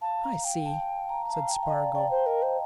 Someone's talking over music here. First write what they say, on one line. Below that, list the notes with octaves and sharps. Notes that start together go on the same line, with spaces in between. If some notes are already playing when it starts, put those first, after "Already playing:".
"I see," said Spargo.
F5 A5
A#5
G5
A5
A#5
A#5
F5 A5
G5
D#5 F5
D5 F5
D5 G5
C5
A#4 D#5
C5